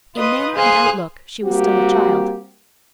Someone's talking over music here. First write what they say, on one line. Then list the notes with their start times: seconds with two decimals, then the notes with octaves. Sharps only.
In manner and outlook she was still a child.
0.15 F4 B4 D#5 D#6
0.55 G#4 C5 F5 G#5 D#6 F#6
1.44 G3 A#3 C4 F#4 G4